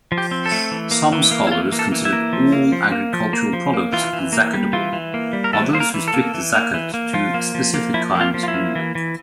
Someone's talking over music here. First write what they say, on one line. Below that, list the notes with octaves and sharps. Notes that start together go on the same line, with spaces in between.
Some scholars consider all agricultural products zakatable, others restrict zakat to specific kinds only.
F3
G4
C4
A4
A3
E3
A#3
E3
A#3
E4
E3 F4
A#3
A4
E3
E4
A#3
F3
A#3
F3
A#3
F3
A#3
F3
A#3
E3 F4
E3
A#3
G3
E3 F4
E3
A#3
G3
A#4
E3 A4
A#3 C5
A#4
E3
A4
A#3
E3
A#3
E3
A#3
F3 F4
A#3
F3
A#3
F3 E4
A#3
F4
F3
F4
E4
A#3
E3
E3